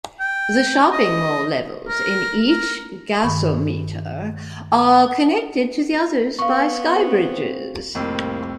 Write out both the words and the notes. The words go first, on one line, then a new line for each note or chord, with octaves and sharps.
The shopping mall levels in each gasometer are connected to the others by skybridges.
G5
D#5
A#4
A#4
G2 D#3 B5 C#6
B3 F5 C#6
C4
C2 F2 A2 A#3 C4